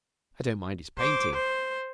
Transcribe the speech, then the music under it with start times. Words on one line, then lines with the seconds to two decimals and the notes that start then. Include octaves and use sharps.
I don't mind his painting.
0.98 C5 D6
1.33 C5